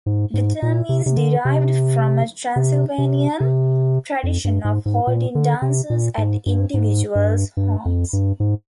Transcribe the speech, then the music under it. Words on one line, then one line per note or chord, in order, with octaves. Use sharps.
The term is derived from a Transylvanian tradition of holding dances at individual's homes.
G#2
G#2
A#2
C3
C3
D3
C3
C3
C3
C3
F2
G2
G#2
G#2
A#2
D3
C3
A#2
G#2
G2
G#2
G2
G2
F2
G2
G#2